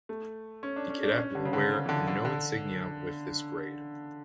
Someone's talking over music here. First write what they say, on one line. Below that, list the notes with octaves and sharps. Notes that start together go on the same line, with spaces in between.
The cadet will wear no insignia with this grade.
A3
C#4
D4
C#4
D4
C#4
D3
C#3
D3
C#3
E3
D3
D3
D3